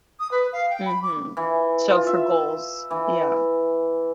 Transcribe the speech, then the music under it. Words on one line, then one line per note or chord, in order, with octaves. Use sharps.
Mhm. So for goals yeah.
D#6
B4
F5
G5
B5
D6
E3
F4
E5
E3